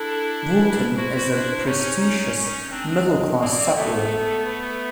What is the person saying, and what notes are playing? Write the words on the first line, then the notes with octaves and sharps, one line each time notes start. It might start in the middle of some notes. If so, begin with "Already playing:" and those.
Woolton is a prestigious middle class suburb.
Already playing: D4 E4 A4
B4
E4 F#4 C5
D4 E4
C#4 D#4 C#5
C#4 D#4
C#4 D#4
C4 D4
D#5
A#3 C4 D5
A3 B3 A4
B4